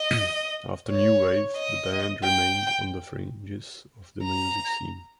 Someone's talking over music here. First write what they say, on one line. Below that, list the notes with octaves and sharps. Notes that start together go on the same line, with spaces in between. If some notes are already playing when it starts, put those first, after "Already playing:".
After "New Wave", the band remained on the fringes of the music scene.
Already playing: D#5
C#5
D#5
G5
A#5